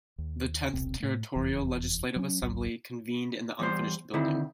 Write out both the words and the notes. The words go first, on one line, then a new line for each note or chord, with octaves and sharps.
The Tenth Territorial Legislative Assembly convened in the unfinished building.
D#2
D#1 B1 C3 C4
A2 A3
F1 E2 E3
F#3 C#4
G#1 C#2 G#2 F#3
E2 G3 C5
D3 D#3 C4 E4